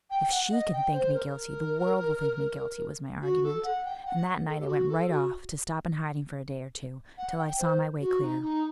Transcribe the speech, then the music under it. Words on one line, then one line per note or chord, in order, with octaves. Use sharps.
'If she can think me guilty, the world will think me guilty,' was my argument; and that night I went right off, to stop in hiding for a day or two, till I saw my way clear.
G5
F#5
D#5
G5
C5
A#4
F#4
A4
F#5
G5
F#5
A4
G4
F#4
A4
F#4
F#5
G5
C5
F#4
D#4
D#4